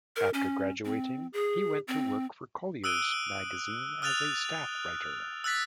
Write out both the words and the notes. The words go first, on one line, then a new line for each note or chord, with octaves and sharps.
After graduating, he went to work for "Collier's" magazine as a staff writer.
A#4
C#4
C4
G#4
C4
D#6 E6 F#6 D7 D#7 G7
D#6 F6 F#6 A6 F7
E6 F#6 A6 B6